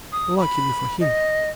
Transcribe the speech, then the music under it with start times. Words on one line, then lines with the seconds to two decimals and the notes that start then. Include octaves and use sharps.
Luckily for him.
0.12 D#6
0.40 B5
1.01 D#5